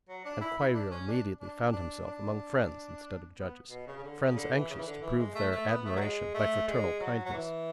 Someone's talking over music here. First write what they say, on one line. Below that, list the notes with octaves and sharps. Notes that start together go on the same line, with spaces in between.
And Kwairyo immediately found himself among friends instead of judges,--friends anxious to prove their admiration by fraternal kindness.
F#3
D4
E4
E4
D4
C#4
D4
D4
D4
D4
B3
B2
C#3
C#3
D3
C#3
D3
E3
C#3
E3
D3
E3
G#3
A3
A3
B3
A3
F#3
G#3
A3
G#3
F#3
F#3
E3